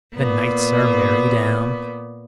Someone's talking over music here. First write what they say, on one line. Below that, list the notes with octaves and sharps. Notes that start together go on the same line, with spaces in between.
"The nights are very damp!"
A#2 B3